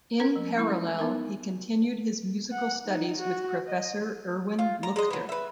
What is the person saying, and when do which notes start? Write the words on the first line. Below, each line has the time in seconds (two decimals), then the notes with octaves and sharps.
In parallel, he continued his musical studies with Professor Erwin Leuchter.
0.20 C#4 A#4 A#5
0.36 F3
0.56 G#3 E4 A#5 B5
0.99 B3 D#4 A#4
2.52 F#5
2.87 D#4
3.18 F#4
3.68 D#5
4.59 F4
4.83 A#5
4.96 G#3 D#5
5.10 E3 F#3
5.29 B4 E5